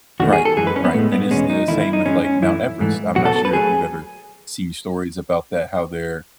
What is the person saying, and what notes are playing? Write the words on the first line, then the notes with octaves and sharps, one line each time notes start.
Right. Right. And it's the same with, like, Mount Everest. I'm not sure if you've ever seen stories about that, how their
E2 D#3 A3 F#4
G#4
A4
F#2 E3 G#3 G#4
B4
C#4
B3
A2 G#3 A3
B3
E2 B2 G#3 C#4
D#4
E2 D#3 A3 E4
E4
D#4
F#2 E3 G#3 C#4
C#4
F#2 E3 A3 E4
G#2 E3 A3
B2 F#3 A3 F#4
A4
A4
B4
F#3 A3 G#4